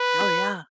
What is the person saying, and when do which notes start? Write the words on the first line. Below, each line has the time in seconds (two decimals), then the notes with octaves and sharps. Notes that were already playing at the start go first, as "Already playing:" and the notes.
Oh, yeah.
Already playing: B4